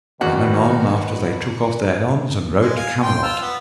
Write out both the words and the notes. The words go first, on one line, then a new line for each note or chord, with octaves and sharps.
And then anon after they took off their helms and rode to Camelot.
E2 B2 D#3 F#4
G#3
F5 G#5
G5 C6
F4 E6
B3